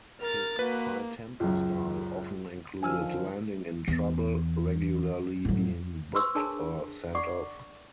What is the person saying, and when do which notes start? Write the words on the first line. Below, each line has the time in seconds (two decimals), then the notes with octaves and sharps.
His high-tempo style often included landing in trouble, regularly being booked or sent off.
0.22 A#4 F6 A6
0.59 A#3 F#4 B4
1.40 C#2 F#2
2.83 D3 D#3 F3 G#5 E6 F6
3.88 E2
5.45 A2 F#3
6.15 F#4 B4 C5 C6 C#6 E6
6.35 D4 G#4 A#4 C#5 A5
7.15 D5 F#5 C#6 D6